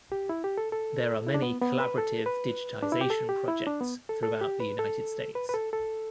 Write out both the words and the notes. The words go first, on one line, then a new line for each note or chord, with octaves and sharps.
There are many collaborative digitization projects throughout the United States.
G4
E4
G4
A4
A4
E4
D4
B3
B3
B4
A4
B4
D4
E4
G4
A4
G4
E4
D4
B3
A4
A4
G4
B4
A4
B4
B4
A4
A4